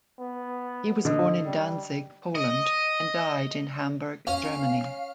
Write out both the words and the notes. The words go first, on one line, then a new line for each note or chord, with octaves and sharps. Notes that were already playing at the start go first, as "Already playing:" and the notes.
He was born in Danzig, Poland and died in Hamburg, Germany.
B3
D3 D#5
G3
D#5
C#4 F5